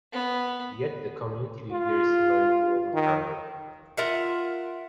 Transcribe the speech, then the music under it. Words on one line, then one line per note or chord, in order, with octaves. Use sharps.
Yet, the community leaders learned to overcome them.
B3
F4
D#3
F4 A#4 E5 F#5